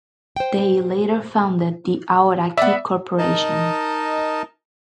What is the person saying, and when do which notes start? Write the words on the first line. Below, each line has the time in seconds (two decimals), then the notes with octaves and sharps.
They later founded the Aoraki Corporation.
0.36 C5 G5
2.57 B3 B4 D5 E5
3.18 D#4 A#4 D#5 A5